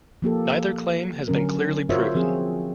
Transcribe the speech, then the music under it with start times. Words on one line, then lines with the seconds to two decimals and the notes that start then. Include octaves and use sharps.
Neither claim has been clearly proven.
0.22 F3 A#3 G4 A4
1.28 D3 F#3 C#4 A#4
1.89 F4 F#4 A#4 C5 C#5 E5
2.15 F3 C4 G#4